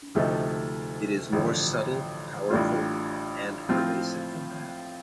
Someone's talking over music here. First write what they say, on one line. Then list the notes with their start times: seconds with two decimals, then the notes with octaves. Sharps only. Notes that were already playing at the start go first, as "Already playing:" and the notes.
It is more subtle, powerful and pervasive than that.
0.15 D2 C3 F3 A3 D#4
1.32 A1 G2 D3 F3
2.50 A1 A2 G3 D4 F4
3.69 A2 F3 C4 F4